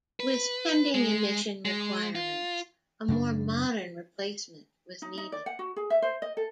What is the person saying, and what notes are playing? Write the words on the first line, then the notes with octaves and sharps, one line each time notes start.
With pending emission requirements, a more modern replacement was needed.
B4
G#3
G#3
F4
F#2 C#3 D4
D#4
D#4
D5
F#5
F#4
G#4
E5
C5
D#5
A4